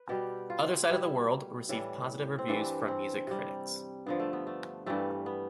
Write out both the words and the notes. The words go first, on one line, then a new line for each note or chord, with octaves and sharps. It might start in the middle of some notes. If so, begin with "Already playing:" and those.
"Other Side of the World" received positive reviews from music critics.
Already playing: B4
B2 G3 G4
F4
B2 G3 E4
A2 E3 G3
C4
G2 E3 G3 D4
C4
C3 G3
G2 D3 F3 B3
A3
B3
A3
G2 E3 G3 A3
B3